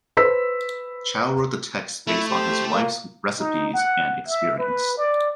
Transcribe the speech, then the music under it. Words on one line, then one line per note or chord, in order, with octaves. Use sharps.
Chao wrote the text based on his wife's recipes and experience.
B4 C5 E6 B6
A3 E4
G4 C5
A#3
D#4
F#5
E5
B4
D5